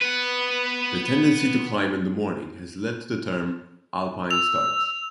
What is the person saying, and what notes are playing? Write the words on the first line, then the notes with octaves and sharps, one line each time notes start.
This tendency to climb in the morning has led to the term "Alpine Start".
B3 B4
E6 F7